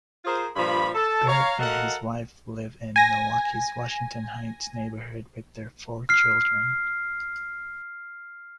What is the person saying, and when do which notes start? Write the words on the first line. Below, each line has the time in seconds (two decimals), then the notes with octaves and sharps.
Barrett and his wife live in Milwaukee's Washington Heights neighborhood with their four children.
0.25 F4 G#4 A#4 C5
0.56 G2 A#2 F3 B5
0.94 A4 A5
1.28 C#5 F5 A#5
1.59 F#4 A4 A#4 D#5 F5 F#5
2.96 G#5 A#6
6.09 F6 C7